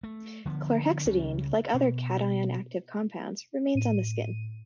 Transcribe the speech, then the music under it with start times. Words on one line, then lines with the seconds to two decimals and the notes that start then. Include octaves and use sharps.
Chlorhexidine, like other cation-active compounds, remains on the skin.
0.03 A3
0.46 D3 F3 A#3 B3
1.05 C#2 C#3 G3 C#4
1.74 B2
3.75 A2 D#7